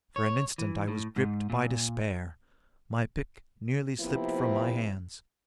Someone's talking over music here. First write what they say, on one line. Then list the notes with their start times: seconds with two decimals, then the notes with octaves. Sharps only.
For an instant I was gripped by despair. My pick nearly slipped from my hands.
0.16 C#5
0.58 E3
0.88 A2
1.16 G#2
1.50 A#2
4.00 C3 F3 A#3 B3 E4